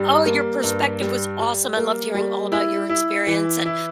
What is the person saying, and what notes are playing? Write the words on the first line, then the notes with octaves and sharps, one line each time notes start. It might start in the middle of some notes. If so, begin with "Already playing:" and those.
oh, your perspective was awesome, I loved hearing all about your experience, and
Already playing: G2 G3
A#3
G2
G3
G3
A#3
G3
E4
E4
E3
E4